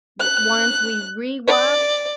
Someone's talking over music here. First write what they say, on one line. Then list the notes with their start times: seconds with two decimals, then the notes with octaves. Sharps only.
o ones we rewatch
0.20 F#6
1.48 D5